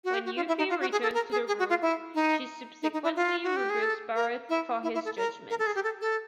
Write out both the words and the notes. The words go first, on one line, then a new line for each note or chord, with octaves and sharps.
When Yuffie returns to the group she subsequently rebukes Barrett for his judgement.
F#4
G4
F#4
F4
E4
D#4
F4
F#4
G#4
A4
A#4
G#4
G#4
F#4
F4
E4
D#4
D#4
D#4
E4
F4
F#4
G4
G#4
A4
A#4
E4
E4
E4
A4
A#4
A#4
A4
G#4
G4
A4
A4